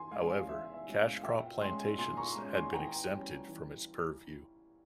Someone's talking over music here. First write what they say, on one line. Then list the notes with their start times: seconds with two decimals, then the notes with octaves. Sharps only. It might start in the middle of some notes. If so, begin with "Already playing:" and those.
However, cash crop plantations had been exempted from its purview.
Already playing: E3 G#5 C6
0.11 G#3 C#4 F5 G#5
0.30 F5
0.49 E3 E5
0.74 E5
0.86 G#3 C#4
0.99 F5
1.24 A#2 E5 G5
1.61 G#3 C#4 G#5 C6
1.98 A#2 G#5 C6
2.17 A#5 C#6
2.36 G#3 C#4
2.54 G#5 C6
2.73 E3 G5 A#5
3.11 G3 C#4
3.48 E3